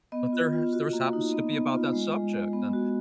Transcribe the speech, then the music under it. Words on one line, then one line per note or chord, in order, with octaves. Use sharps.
there has theirs happens to be about that subject, and,
B3 D#5
F4
F4
F#4
A#3
D#4
B3 D#5
B3
F4
G#3
G#3
G#3
B3
F#4